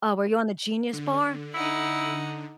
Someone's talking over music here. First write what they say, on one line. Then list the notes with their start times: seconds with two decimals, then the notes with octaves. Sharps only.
Oh, were you on the Genius Bar?
0.93 D3
1.54 D#4 E4 F#5